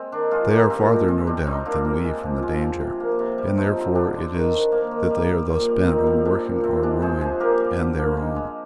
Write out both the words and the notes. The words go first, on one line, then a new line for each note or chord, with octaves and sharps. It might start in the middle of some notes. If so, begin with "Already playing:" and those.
They are farther, no doubt, than we from the danger; and therefore it is that they are thus bent on working our ruin and their own.
Already playing: G#3 C4
D#3 D4
G#3 F4 G#4
G#3 G4 A#4
A#2 C4
G#3 D4
G#3 C4
G3 D4
G3 C4 D#4
A#3 D4 F4
A#3
G#3
F3
G#3
F3
C3
A#3
C3
G3
F3 C4 D#4
D3
D3 D4
D3
D#3
D#3
A#3
D#3
G3
G3
A#2
G3
A#2 C4 D#4
G3
G3 D4
A#2
C3 C4
G#3 D4
G#3 G#4 C5
F3 G#4 C5
A#3 G4 A#4
G3
D3
A#3
G#3
G#3